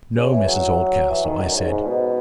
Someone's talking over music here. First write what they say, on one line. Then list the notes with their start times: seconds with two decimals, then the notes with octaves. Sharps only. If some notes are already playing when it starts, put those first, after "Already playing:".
"No, Mrs Oldcastle," I said.
0.16 C#3
0.32 E3
0.47 F#3
1.09 E3
1.24 D#3
1.40 F#2
1.56 G#2
1.71 G#2
1.86 B2